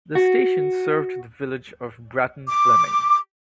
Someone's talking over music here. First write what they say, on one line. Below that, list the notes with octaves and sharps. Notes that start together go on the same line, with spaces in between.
The station served the village of Bratton Fleming.
F#4
D6